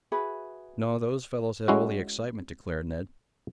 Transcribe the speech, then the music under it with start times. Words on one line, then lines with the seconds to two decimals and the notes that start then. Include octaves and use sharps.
"No, those fellows had all the excitement," declared Ned.
0.12 F#4 G#4 B4 E5
1.68 G#3 C#4 E4 F#4